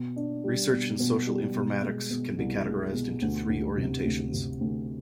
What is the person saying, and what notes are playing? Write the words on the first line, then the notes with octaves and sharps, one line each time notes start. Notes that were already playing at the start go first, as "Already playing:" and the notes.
Research in social informatics can be categorized into three orientations.
Already playing: B2
D4
G3
B2
B2
G3
B2
G#3
B2
C2
G#3
B2
D2
D2
C3
D2
C3
D2